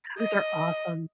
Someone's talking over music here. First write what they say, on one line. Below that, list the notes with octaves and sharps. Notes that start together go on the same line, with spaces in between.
Those are awesome.
D#5